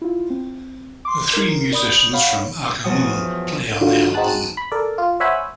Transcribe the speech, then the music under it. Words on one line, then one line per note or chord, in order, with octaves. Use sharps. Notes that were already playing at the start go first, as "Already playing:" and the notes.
The three musicians from Aka Moon play on the album.
E4 F4
C4
C6 D6
D#4 A#4
D5 B5 D#6 G6
C#5 F5 F#5 B5
E2 F3 F#3 F#5 D#6
D3 D#3 F#3 F4 F#4
C4 D#4 F#4 G#4 A5 F#6
B5
A4 A#4 D5
F4
C5 C#5 E5 F#5 G#5 B5